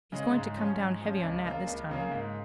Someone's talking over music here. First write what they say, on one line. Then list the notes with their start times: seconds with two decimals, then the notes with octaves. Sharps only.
He's going to come down heavy on Nat this time.
0.12 C#3 G#3
0.34 G#2
0.57 F3 C#4
0.78 G#2
1.01 F3 C#4
1.23 C#2
1.45 C#3 A#3 F4
1.67 C#2
1.90 C#3 A#3 F4
2.11 G#2